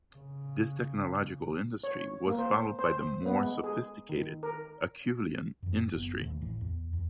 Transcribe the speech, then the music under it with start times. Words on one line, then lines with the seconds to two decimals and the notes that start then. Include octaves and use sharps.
This technological industry was followed by the more sophisticated Acheulean industry.
0.15 C#3
1.84 C#5
2.27 A#3
2.38 C5
2.79 C5
3.26 B3
3.41 G#3
3.64 G#4
4.09 D#3
4.43 A#4
5.63 F#2 E3
5.91 F#1 B3
6.19 D#2 A#2 D#3 A3
6.41 A1 E3
6.61 E2
6.93 E2